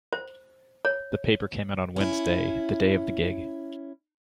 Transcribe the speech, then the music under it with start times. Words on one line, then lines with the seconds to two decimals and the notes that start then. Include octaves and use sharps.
The paper came out on Wednesday, the day of the gig.
0.13 C5
0.85 C#5
1.96 C#4 E4